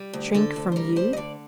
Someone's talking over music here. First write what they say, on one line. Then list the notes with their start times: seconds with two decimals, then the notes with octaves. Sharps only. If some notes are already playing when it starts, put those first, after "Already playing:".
"Shrink from YOU?"
Already playing: G3
0.13 D2
0.34 D3 A4
0.56 D2
0.72 C5
0.76 G3 A#4
0.96 D2 C5
1.13 D#5
1.17 D3 D5